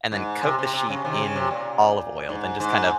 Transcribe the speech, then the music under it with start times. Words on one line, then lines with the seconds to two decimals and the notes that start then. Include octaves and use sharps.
and then coat the sheet in olive oil, then just kind of
0.12 G#2
0.43 C3
0.58 C3
0.73 C3
0.89 C#3
1.05 C3 D#3
1.21 C#3
1.36 C3
1.51 A#2
2.29 G#2
2.60 G#2